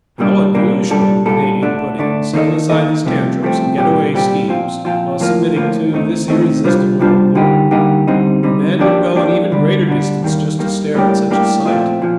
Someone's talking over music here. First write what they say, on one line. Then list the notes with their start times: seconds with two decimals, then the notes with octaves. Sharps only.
"How unusual!" the Canadian put in, setting aside his tantrums and getaway schemes while submitting to this irresistible allure. "A man would go an even greater distance just to stare at such a sight!"
0.18 C2 A#2 G3 A#3 D4
0.55 C2 A#2 G3 A#3 D4
0.89 C2 A#2 G3 D4 A4
1.26 C2 A#2 G3 D4 A4
1.62 D2 D3 A3 D4
1.98 D2 D3 A3 D4
2.33 D#3 A#3 D#4 A4 D#5
2.70 D#3 A#3 D#4 A4 D#5
3.05 C2 C3 F3 A3 C4
3.42 C2 C3 F3 A3 C4
3.77 C2 A#2 G3 C4 G4
4.13 C2 A#2 G3 C4 G4
4.48 A#2 F3 C4 F4
4.85 A#2 F3 C4 F4
5.20 A2 F3 A#3 F4
5.56 A2 F3 A#3 F4
5.92 D#2 D#3 A3 C4 D#4
6.28 D#2 D#3 A3 C4 D#4
6.64 C3 G3 D4 F4 C5
6.99 C3 G3 D4 F4 C5
7.35 D3 G3 A#3 D#4 G4
7.71 D3 G3 A#3 D#4 G4
8.07 D3 G3 C4 D#4
8.43 D3 G3 C4 D#4
8.79 F3 A#3 D4 G4 D5
9.15 F3 A#3 D4 G4 D5
9.51 D2 D3 G3 D4
9.87 D2 D3 G3 D4
10.22 D#2 D#3 G3 A#3
10.59 D#2 D#3 G3 A#3
10.94 A2 G3 A#3 D4 G4
11.30 A2 G3 A#3 D4 G4
11.66 A#2 F3 A3 C4 F4
12.02 A#2 F3